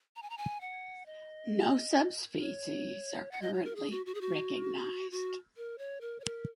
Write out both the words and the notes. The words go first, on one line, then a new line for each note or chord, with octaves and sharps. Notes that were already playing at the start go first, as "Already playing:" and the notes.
No subspecies are currently recognised.
A#5
G#5
A#5
G#5
F#5
D#5
C#5
F#5
D#5
C#5
A#4
G#4
F#4
F#4
G#4
F#4
F#4
A#4
C#5
A#4
C#5
A#4